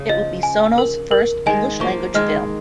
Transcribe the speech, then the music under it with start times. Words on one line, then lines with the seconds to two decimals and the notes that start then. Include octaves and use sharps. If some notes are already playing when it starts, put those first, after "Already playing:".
It would be Sono's first English-language film.
Already playing: C#3
0.09 F3 D#5
0.43 G#5
0.78 A#4
1.11 A#4
1.46 D#3 G#3 G#5
1.80 F3 A#3 C#6
2.14 D#3 G#3 F6